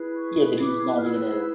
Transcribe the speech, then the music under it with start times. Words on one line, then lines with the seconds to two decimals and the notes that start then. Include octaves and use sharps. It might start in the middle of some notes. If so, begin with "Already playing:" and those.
Yeah, but he's not even a
Already playing: E4 G#4 B4
0.13 C#6
0.58 D6
0.96 F6
1.02 E6